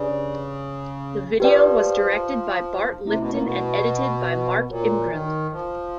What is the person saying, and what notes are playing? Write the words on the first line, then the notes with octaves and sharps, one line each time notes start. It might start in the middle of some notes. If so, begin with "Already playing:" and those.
The video was directed by Bart Lipton and edited by Mark Imgrund.
Already playing: C#3 D4 G4 B4 D5
F3 G4 B4 D5 G5
C3 A3 C#4 E4
B2
A#2
B2
A#2 F#4 A#4 C#5
E3
D#3
F3